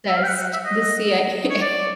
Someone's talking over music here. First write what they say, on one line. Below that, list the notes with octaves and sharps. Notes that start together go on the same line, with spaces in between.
sessed The CIA A
E5
F5
G5
F#5
F#5
E5
D#5
C#5
D5